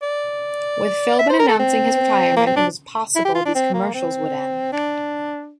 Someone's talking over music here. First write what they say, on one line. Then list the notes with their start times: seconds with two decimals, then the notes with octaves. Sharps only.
With Philbin announcing his retirement, it was possible these commercials would end.
0.02 D5
1.19 E5
1.30 C5
1.39 A#4
1.48 A4
1.59 C4
2.36 A#3
2.47 C4
2.56 D4
3.15 E4
3.25 G4
3.35 F4
3.45 D4
3.55 C4
3.74 A#3
3.94 C4
4.72 D4